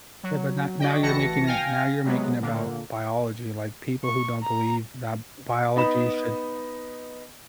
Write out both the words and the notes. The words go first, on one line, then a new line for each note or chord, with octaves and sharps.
Yeah, but now now you're making it now you're making about biology, like, people who don't believe that biology should
F#3
F#4 D5 D#5 G5
A1 E3 F#4 A5 A#6 C#7
F5 G5 G#5 F6 A#6
C3 F#3 G#3 B3
A#2 D3 A#3
C#6
A#5
B3 D#4 B5 E7